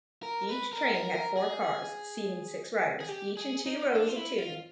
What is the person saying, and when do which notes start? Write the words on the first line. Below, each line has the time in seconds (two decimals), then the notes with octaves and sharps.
Each train had four cars seating six riders each in two rows of two.
0.23 A#4
0.50 B4
0.73 A#4
0.94 A#4
1.15 A#4
1.37 G#4
3.00 G#4
3.08 G4
3.37 G#4
3.66 D#4
3.95 D4
4.07 F4
4.16 E4
4.38 F4